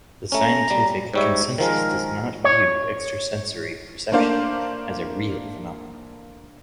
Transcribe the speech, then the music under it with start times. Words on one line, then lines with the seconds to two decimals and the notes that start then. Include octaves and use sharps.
The scientific consensus does not view extrasensory perception as a real phenomenon.
0.32 A3 C#4 A#5
0.71 G3
1.14 G#2 G3 C#5 E5
1.58 D#3 F3 G#3 A#4
2.44 C#5
4.12 A3 A#3 D4 C5 F5